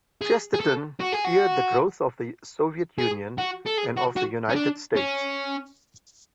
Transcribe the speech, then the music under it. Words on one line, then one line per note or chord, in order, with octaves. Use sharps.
Chesterton feared the growth of the Soviet Union and of the United States.
G#4
G#4
A4
F#4
G#4
F#4
G#4
F#4
A4
G#4
F#4
F#4
C#4
D4
C#4